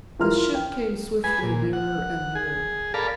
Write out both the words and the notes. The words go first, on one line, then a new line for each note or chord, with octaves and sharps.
The ship came swiftly nearer and nearer.
E3 F3 A#4 C6 F6
G5
G#4 B4 G#5
A#2
F#5
G#4
A4 A#4 D5 F5 A5 B5